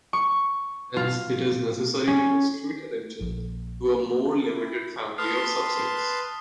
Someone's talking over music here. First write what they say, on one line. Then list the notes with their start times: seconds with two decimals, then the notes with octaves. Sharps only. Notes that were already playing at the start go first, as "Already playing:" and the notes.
Hence, it is necessary to restrict attention to a more limited family of subsets.
0.13 C#6
0.96 F4
2.07 C#4
3.21 A#1
4.45 E4
5.18 B4 A5 C6 D#6 F6 C7